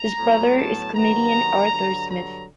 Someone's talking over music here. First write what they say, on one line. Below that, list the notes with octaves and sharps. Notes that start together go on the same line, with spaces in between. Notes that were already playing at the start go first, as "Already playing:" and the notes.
His brother is comedian Arthur Smith.
Already playing: A#5
A2 F#3 B3
A5
G2 D#3 F#3 B3 A#5
G2 D3 F#3
A#5